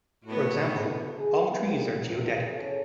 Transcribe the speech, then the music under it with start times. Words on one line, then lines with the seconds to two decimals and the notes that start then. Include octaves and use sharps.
For example, all trees are geodetic.
0.24 A2 B3 F#4
1.17 G#4
1.49 E3 F3 G3 G#3 A#3 B3
2.04 E2 F3
2.51 C#3 G#4 A4 C#5